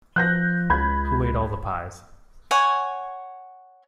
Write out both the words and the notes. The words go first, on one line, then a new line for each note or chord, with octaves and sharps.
Who Ate All the Pies?
F3 F#6 G6 A#6
C#2 B5 G#6
C#5 F#5 G#5